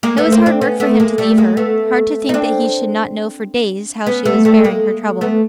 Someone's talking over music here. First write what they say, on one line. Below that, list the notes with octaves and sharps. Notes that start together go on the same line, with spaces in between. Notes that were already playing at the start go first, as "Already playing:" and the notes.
It was hard work for him to leave her--hard to think that he should not know for days how she was bearing her trouble.
G#3 A#3
A3 B3
A#3 C4
C4 D4
B3 C#4
A3 B3
G#3 A#3
G3 A3
G#3 A#3
A3 B3
D#4
C4 D4
B3 C#4
A3 B3
G3 A3
G#3 A#3
A3 B3